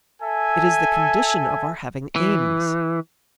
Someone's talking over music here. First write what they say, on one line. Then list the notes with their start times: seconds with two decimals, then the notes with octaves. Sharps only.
It is the condition of our having aims.
0.22 A4 E5 G#5
2.16 E3